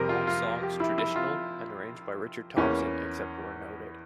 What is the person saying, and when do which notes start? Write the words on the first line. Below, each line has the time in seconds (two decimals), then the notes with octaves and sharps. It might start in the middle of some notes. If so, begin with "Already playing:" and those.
All songs Traditional and arranged by Richard Thompson except where noted.
Already playing: F2 C3 G3 A#4 C5
0.09 F4
0.27 F4
0.63 G4
0.80 E4
0.98 E4
1.16 F4
2.57 E2 E3 A#3 C#4